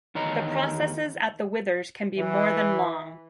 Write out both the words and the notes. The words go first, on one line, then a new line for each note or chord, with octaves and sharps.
The processes at the withers can be more than long.
E2 D#3 C#5 D#5 A#5
E3